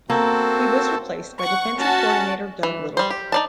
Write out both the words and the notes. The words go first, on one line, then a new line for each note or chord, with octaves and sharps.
He was replaced by Defensive Coordinator Doug Lytle.
A#3 C4 F#4 A4 C5
F#5 C#6
C#4 F#4 A5
E3
G3 C5
G4
D#4 D5 A5